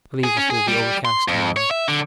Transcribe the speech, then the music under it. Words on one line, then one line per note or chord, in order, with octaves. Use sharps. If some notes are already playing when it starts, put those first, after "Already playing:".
I believe it will be overcast to-morrow.
G#4
C#4
G#4
G3
C6
F2
C#5
E5
D3